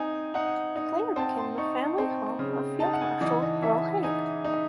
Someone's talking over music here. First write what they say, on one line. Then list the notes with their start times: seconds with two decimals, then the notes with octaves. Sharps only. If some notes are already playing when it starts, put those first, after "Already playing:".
It later became the family home of Field Marshal Earl Haig.
Already playing: C4 D#4 G#5
0.34 D#4 F#5
0.76 D#4
1.16 C4 A5
1.38 C6
1.58 D#4 C#6
1.98 C4
2.39 C#3
2.80 D#4 A5
2.93 F#5
3.01 G#5
3.21 E3 D#5
3.42 D#5
3.62 E3 E5
4.03 D#4 G#5
4.44 D#4